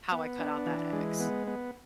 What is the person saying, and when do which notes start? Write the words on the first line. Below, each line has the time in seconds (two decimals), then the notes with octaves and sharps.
how I cut out that ex.
0.12 B3
0.39 D4
0.66 E3
0.93 G#3
1.20 B3
1.47 B3